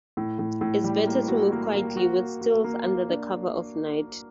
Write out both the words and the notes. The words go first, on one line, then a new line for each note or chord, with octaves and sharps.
It's better to move quietly, with stealth, under the cover of night.
A2
A2
A2
G3
A#3
F#4
A#3
A#3
F#4
A#3
F#4
A#3
A#3
D4